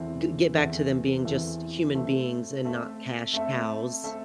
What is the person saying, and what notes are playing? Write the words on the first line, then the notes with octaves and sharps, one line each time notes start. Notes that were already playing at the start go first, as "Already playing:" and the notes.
g get back to them being just human beings and not cash cows
Already playing: E2 E3 C4 A4 E5
E2 E3 C4 A4 E5
E2 E3 C4 A4 E5
A3 C4 A4 E5
A3 C4 A4 E5
A3 C4 A4 E5
A3 C4 A4 E5